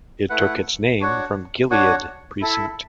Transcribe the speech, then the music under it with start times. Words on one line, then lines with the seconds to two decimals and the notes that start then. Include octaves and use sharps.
It took its name from Gilead Precinct.
0.29 A3 E4 B4 F#5
1.00 D4 F#4 C#5 F#5
1.71 D4 F#4 C#5 F#5
2.41 E4 A4 E5